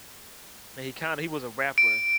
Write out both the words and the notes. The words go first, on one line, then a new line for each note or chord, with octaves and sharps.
And he kinda he was a rapper,
D7